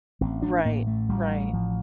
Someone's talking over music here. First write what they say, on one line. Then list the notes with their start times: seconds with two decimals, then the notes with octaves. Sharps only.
Right, right.
0.21 A1 C4
0.42 D4
0.65 A2 A#3
0.87 A3
1.09 A1 G3
1.53 A2 F3